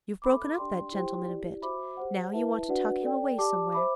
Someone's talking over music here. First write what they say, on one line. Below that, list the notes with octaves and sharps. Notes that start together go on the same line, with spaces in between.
You've broken up that gentleman a bit; now you want to tuck him away somewhere.
A4 E5 B5 D6
D4 G4 D5 G5 C6
E4 G4 C5 G5 C6
E4 G4 D5
F#4 C5 E5 B5 D6
G4 C5 F#5
E4 B4 E5 A5
D4 F#4 B4 D5 F#5
A4 D5 G5
G4 D5 A5 D6
C5 E5 B5 D6